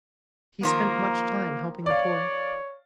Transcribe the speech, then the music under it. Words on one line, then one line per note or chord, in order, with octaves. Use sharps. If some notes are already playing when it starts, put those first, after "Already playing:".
He spent much time helping the poor.
D#3 F3 A#3 A#4
C#5 D5 F5